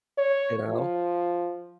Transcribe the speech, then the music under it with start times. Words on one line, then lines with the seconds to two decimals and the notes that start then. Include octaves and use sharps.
You know.
0.18 C#5
0.69 F3